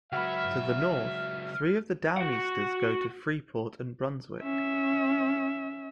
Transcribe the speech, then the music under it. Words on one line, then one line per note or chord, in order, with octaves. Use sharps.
To the north, three of the Downeasters go to Freeport and Brunswick.
C#2 F#3 F#4 B4 E5 B5 F6
F#4 F#5
C#4 E5